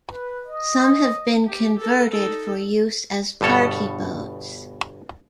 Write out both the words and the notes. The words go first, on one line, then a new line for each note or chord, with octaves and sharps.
Some have been converted for use as party boats.
B4
D#5
G4
A4 A#4
D#4 A4
G1 G2 B2 A4 C#5